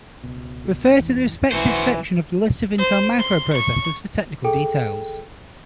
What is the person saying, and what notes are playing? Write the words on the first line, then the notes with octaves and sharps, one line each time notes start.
Refer to the respective section of the list of Intel microprocessors for technical details.
C#2 B2
F#1 E2 E3
B1 E3 C#4 F#4 C5
C5
C6
C#6
G#4 A4 G5